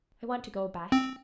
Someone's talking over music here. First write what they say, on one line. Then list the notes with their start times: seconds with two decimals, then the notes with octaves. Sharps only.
I want to go back.
0.92 C4